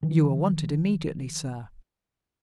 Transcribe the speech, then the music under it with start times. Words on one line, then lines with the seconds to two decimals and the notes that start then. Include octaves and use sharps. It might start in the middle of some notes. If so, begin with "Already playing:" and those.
"You are wanted immediately, sir."
0.03 D#3 F3